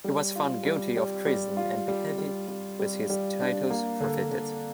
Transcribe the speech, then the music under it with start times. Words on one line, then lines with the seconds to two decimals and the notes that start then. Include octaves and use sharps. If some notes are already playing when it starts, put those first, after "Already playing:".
He was found guilty of treason and beheaded with his titles forfeited.
0.04 G3
0.36 F4
0.65 G3
0.97 G3
1.26 G3
1.57 F4
1.88 G3
2.18 G3
2.48 G3
2.80 G3
3.10 G3
3.40 D4
3.70 A#3
4.00 D3
4.31 D3